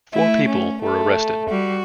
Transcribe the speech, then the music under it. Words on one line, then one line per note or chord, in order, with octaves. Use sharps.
Four people were arrested.
A3 E4
C#4
A3
G3 F#4